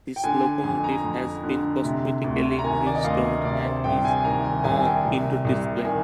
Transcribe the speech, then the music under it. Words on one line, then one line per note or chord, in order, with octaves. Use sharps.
This locomotive has been cosmetically restored, and is on indoor display.
G5
D3 G#5
G#5
F2 G#5
A#5
F2
D3
C3
D2
A#5
D#3 G#5
D5
D#5
D2 F5
C3 D5
C5
C2 G5
G#5
D#3 A#5
G#5
C2 G#5
G5
C3
C2
D#3 G#5